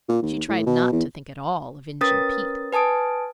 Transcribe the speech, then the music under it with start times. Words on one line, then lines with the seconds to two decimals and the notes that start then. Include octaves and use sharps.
She tried not to think at all of Injun Pete.
0.09 A#2
0.23 D#2
0.49 A2
0.66 B2
0.93 E2
2.01 C#4 A#4 B4 D#6 A6
2.73 B4 G#5 A5 D#6 D7